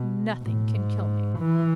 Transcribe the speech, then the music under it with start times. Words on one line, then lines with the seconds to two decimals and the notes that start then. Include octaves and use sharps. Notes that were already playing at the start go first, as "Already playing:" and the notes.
"Nothing can kill me."
Already playing: B2
0.42 A2
0.74 G#2
1.39 E3